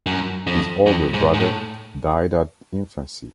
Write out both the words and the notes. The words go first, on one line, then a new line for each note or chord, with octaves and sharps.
His older brother died at infancy.
F#2
F2
F2
G#2
G#2
A2